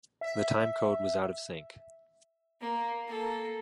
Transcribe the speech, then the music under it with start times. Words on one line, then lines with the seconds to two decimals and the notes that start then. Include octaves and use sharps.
The timecode was out of sync.
0.21 E5
2.61 A#3
3.07 A#3 A4